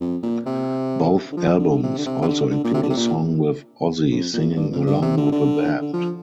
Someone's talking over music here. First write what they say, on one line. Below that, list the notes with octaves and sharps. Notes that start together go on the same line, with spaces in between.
Both albums also include a song with Ozzy singing along with a band.
F2
A#2
C3
D3
F3
D3
D3
C3
D3
C3
C3
D3
D3
A#2
C3
D3
C3
A#2
F2
A#2
F2
G2
F2
G2
C3
D3
D3
D3
F3